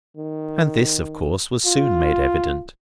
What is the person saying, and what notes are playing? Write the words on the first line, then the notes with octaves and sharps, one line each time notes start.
And this, of course, was soon made evident.
D#3
F4